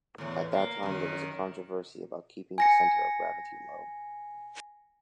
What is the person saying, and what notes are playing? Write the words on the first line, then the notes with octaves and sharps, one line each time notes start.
At that time there was a controversy about keeping the centre of gravity low.
E2 A2
A#3
F#2 D#3
G#5 A#6 C#7